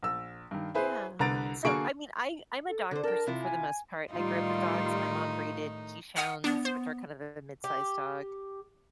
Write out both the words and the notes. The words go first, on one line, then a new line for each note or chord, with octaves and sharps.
Yeah. So, I mean, I I'm a dog person for the most part, I grew up with dogs, my mom breeded Keeshonds, which are kind of a mid-sized dog.
A#1 E6
G2 D#3
E4 G#4 B4 C5
C2 D3 B4 A#5 A6 D7
D3 A#3 F#4 G#4 C#6 D7
A4
D3 A4 C5
A4 A#4 G5
C3 E4 F4
G#5
A2 D#3 G3 D#4 F4
F#5 D#6 F6
B3 D4
C5
G4